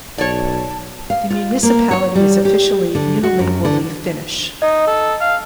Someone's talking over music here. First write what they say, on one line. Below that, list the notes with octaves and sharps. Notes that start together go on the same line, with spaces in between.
The municipality is officially unilingually Finnish.
B1 C#5 D5 A5
F5
F4
A#3
C#5
G3
G4
D3
F#4
F#2
D3
D#4 D#5
A4
F5